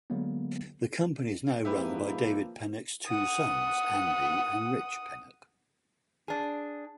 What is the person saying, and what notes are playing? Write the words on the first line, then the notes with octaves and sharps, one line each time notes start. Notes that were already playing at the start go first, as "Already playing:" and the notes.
The company is now run by David Pennock’s two sons Andy and Rich Pennock.
D3 F#3 G#3 A#3 B3
G#2 F3 A#3 E4 G4 B4
F#5 D#6
D4 G#4